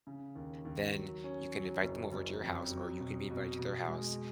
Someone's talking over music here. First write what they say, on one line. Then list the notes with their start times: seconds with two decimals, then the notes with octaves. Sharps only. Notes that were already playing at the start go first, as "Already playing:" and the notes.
then, you can invite them over to your house, or you can be invited to their house,
0.07 C#3
0.35 D#2
0.65 D#2
0.94 F#3
1.24 C#4
1.53 F#3
1.83 F#1
2.11 F#1
2.41 F2
2.70 F#3
3.00 B2
3.30 B2
3.59 B2
3.88 G#3